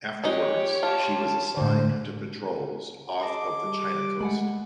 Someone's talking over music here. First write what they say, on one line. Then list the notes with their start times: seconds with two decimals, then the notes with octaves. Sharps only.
Afterwards, she was assigned to patrols off of the China coast.
0.24 G#3 D#4 G4 C#5 D#5
0.83 F4 A5
1.57 A2 D3 C5
3.21 G#4 D#5 A5 D6
3.65 G3
4.20 G#3 A3 F#5 G#5 B5